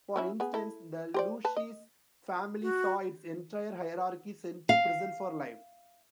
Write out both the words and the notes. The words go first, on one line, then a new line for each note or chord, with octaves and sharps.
For instance, the Lucchese family saw its entire hierarchy sent to prison for life.
F#3 C#4 E4
B3 G#4
E4 A4
G4 C5 D5
B4 A5
D#5
F#4
F5